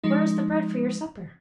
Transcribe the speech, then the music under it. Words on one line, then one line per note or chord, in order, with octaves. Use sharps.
"Where is the bread for your supper?"
F3 G#3 D#4